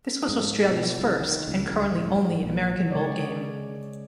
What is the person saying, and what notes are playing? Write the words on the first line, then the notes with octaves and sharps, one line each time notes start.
This was Australia's first, and currently only, American Bowl game.
G#2
B2
C2
D#3
C#2
D2
A2
G#2
A#1
C#3 G#3 C#5 D5